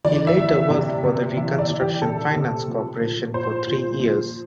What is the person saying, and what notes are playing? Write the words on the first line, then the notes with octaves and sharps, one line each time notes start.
He later worked for the Reconstruction Finance Corporation for three years.
E3 D5
E5
E3
E5
C3 D5
C3
E3 E5
D5
E3
G4
C3 A4
C3
F3
F3
A#2 C5
A#2
F3